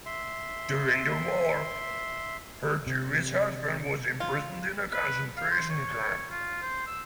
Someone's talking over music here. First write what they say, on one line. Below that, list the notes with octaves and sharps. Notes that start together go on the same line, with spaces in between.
During the war, her Jewish husband was imprisoned in a concentration camp.
E5 C6
C3
F4
B4
F5
C5
C#5
F4
C5
E6